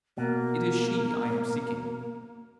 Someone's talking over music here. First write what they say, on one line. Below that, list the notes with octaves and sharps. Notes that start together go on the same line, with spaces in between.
It is she I am seeking.'
B2 A#3